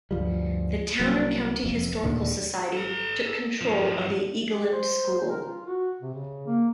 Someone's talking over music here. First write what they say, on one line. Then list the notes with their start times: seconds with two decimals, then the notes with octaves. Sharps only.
The Towner County Historical Society took control of the Egeland School.
0.11 D2 G2 F3 G3
1.00 C2 C3 F#3 A#3
1.64 F1 F2
2.03 D#2 A#2 D3 A3
2.73 A4 A#5
3.61 G2 F3
4.48 G4
4.72 C5
5.29 A#4
5.45 F4
5.66 F#4
6.01 C3
6.14 C#3
6.47 A#3